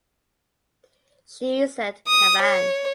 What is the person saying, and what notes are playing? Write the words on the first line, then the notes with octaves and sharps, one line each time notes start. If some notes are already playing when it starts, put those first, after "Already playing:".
She said Cavan.
D#6
C#5